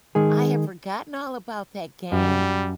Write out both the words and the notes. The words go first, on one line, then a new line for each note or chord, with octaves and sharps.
I have forgotten all about that game.
D#3 G#3 G#4
F#2 G3